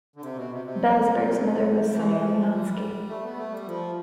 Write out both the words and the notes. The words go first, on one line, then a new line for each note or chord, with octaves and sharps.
Belzberg's mother was Sonia Rinansky.
D3
C3
B2
C3
C3
E3
F3
G3
A3
B3
A3
G3
F3